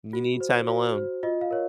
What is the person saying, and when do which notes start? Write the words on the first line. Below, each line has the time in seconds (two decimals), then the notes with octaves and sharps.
You need time alone.
0.13 F#4
0.40 C5
0.68 F#4
0.96 C5
1.23 F4 D#5
1.41 F5
1.51 A#4 C#5